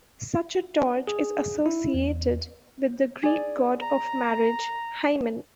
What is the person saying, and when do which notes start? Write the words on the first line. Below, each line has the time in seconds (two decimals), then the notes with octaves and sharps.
Such a torch is associated with the Greek god of marriage Hymen.
1.07 G#4
1.66 E4
1.94 E2
3.23 G#4 D5
3.82 A#5